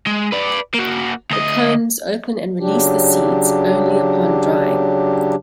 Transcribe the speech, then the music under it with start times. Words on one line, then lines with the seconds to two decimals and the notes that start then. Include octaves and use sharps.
The cones open and release the seeds only upon drying.
0.07 G#3
0.32 B4 D5
0.75 A#3 F#4
1.31 D2 D#5
2.60 C#3 F#3 D4 G4